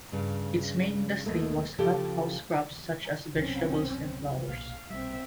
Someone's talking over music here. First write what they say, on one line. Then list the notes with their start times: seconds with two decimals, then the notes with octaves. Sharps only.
Its main industry was hothouse crops such as vegetables and flowers.
0.12 G2 C#3
1.26 D#2 B2 A3
1.78 C#3 F3 G4 A4
3.36 C2 F#2 B2 C4 C#4
4.48 B1 A#2 F5
4.90 B1 A#2 G3 C4 E5